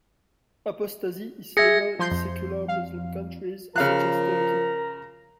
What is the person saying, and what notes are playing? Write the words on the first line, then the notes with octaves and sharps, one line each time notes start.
Apostasy is legal in secular Muslim countries such as Turkey.
G#4 E5 G#6 A#6 C#7
F3 C6 G6
F2
F5
C#3 F3 A#4 F5 A#5 F#6